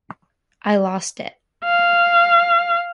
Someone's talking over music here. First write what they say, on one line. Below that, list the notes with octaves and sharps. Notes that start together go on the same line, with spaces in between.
I lost it.
F5